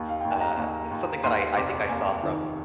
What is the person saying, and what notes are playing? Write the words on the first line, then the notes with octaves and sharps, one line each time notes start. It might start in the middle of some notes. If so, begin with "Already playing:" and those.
uh this is something that I I think I saw from,
Already playing: D#2
F5
D#2 G5
G#5
A#5
D#2
D#2
D#2 C6
F1 D6
A#3 G#5
D#3